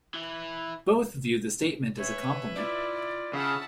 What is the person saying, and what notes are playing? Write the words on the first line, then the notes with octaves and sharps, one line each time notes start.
Both view the statement as a compliment.
E3 E4
B4 C#5 E5 G#5
E4 F4 D5
C#3 E5 F#5 A5